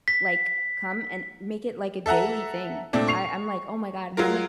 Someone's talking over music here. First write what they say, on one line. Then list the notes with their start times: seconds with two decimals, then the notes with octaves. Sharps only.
like, come and make it, like, a daily thing, I I'm like, "Oh my God, how much"
0.08 B6
2.06 A4 E5 F#5 A#5
2.93 A#2 A3 C4 D4
3.08 C#6 C7 F7
4.17 F#3 G#3 F4 A#4